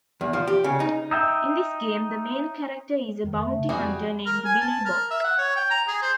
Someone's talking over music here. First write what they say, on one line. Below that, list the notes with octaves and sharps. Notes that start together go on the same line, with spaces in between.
In this game, the main character is a bounty hunter named Billy Bob.
E2
F3
G4
C#3
D#4
D#4 E5 G5
F2 D#3
A3
C#3
F2 F3 G3 F#4 G#4
A#4
G#5
A5
A#4
E5
F#5
C#5
G5
A#5
G#4
C5